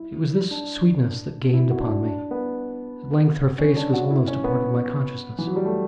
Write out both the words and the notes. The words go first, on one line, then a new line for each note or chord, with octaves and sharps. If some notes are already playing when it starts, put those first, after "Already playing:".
It was this sweetness that gained upon me: at length her face was almost a part of my consciousness.
Already playing: E4
D4
E4
F#4
D4
E4
D4
B3
C#4
D4
F#4
E4
C#4
B3
E3
F#3
G3
A3